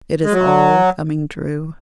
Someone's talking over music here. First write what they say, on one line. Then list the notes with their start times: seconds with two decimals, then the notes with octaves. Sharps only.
It is all coming true.
0.24 G#3
0.33 F#3